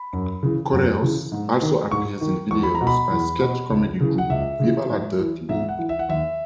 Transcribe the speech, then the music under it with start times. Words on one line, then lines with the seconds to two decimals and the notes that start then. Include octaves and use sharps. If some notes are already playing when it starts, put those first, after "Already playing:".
Correos also appears in videos by sketch comedy group Viva La Dirt League.
Already playing: B5
0.13 F#2
0.43 C#3 E3
0.72 F#2
1.02 C#3 E3
1.32 G#2
1.62 D#3
1.91 G#2 C#6
2.21 D#3
2.51 E2 C#6
2.63 B5
2.75 A#5
2.81 B2
2.87 B5
3.11 E2
3.40 B2
3.70 C#2
4.00 C#3 E3
4.18 F#5
4.30 C#2 E5
4.59 C#3 E3
4.90 G#2
5.19 E3
5.49 G#2 E5
5.69 F#5
5.79 E3
5.89 E5
5.99 F#5
6.09 D#2 E5